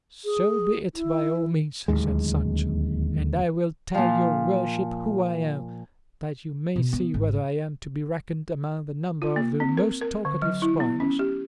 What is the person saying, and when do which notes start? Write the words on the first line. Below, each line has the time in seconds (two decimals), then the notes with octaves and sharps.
"So be it by all means," said Sancho; "and I will tell your worship who I am, that you may see whether I am to be reckoned among the number of the most talkative squires."
0.24 G#4
0.94 E4
1.88 D1 G1 D#2 G#3
3.95 A#2 F3
6.76 B2
6.93 B3
7.14 G#1
9.22 F4
9.36 A#3
9.60 C4
9.77 A#4
10.02 A#4
10.25 D3
10.42 F#3
10.62 E4
10.80 B3
11.00 C#4
11.19 G4